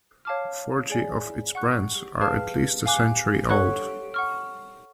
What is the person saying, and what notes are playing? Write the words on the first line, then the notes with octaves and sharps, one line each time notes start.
Forty of its brands are at least a century old.
C#5 F5 A5 D6 F6
G#4 D5 G#5
F#5 C#6 F#6
G#4 B4 F5 A5 F6
F5 G#5 D6 F#6
A4 C#5 F#5 C#6 F#6
F#5 C#6 F6